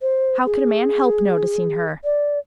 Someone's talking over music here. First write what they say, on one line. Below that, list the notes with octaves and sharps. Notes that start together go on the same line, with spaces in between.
How could a man help noticing her?
C5
G#4
D5